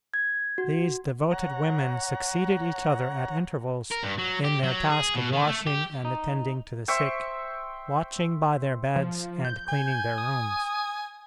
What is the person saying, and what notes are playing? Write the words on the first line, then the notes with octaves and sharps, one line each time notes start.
These devoted women succeeded each other at intervals in their task of washing and attending to the sick, watching by their beds and cleaning their rooms.
G#6
F#4
C#5 F#5 A#5
A#4
G2
F#3
G4
F#3
G#4
B2
D#3
A3
G4
D#4
C5 E5 G5 C#6
F3
G6
G#5
D#6